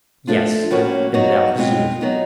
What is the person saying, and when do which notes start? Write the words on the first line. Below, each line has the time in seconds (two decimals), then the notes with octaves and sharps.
"Yes; and that was you!"
0.27 F3 A3 D4 F4
0.71 A2 F3 A#3 C#4 F#4
1.14 F#3 B3 D#4 F#4
1.57 B2 G#3 C4 F4
2.01 F#3 B3 D#4